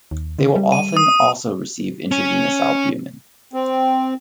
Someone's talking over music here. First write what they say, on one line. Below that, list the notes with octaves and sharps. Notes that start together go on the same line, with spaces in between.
They will often also receive intravenous albumin.
D#2
D3
G3
D#7
D#6
C#4
C4